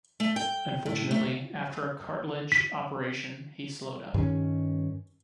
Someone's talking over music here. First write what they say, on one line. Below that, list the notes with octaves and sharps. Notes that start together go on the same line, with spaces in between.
Unfortunately, after a cartilage operation he slowed up.
A3
G5
A2
A3
B6
G2 D#3 C#4